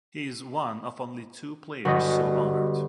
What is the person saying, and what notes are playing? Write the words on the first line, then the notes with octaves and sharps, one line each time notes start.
He is one of only two players so honored.
G1 G3 F#4 D#5